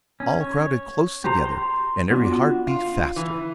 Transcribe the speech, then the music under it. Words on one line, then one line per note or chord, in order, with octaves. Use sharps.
All crowded close together and every heart beat faster.
C#4
C#5
G4 C5 A#5
C6
B3 D4 F4 F#4
F4
E3